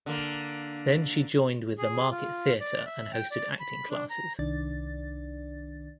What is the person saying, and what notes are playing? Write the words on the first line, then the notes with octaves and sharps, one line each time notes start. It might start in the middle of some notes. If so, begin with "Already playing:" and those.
Then she joined with the Market Theatre and hosted acting classes.
D3 A#3
G#4
F4
D5
E5
G5
D5
B5
D4
A#5
C2 D#3 D4 D5 A6